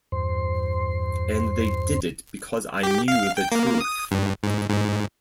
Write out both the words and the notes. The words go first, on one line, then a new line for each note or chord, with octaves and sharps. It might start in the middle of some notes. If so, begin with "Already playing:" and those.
And they did it because I knew the truth.
E2 G2 C5 C6
G4
F5
G5
A#3
D#6
G2
G#2
G#2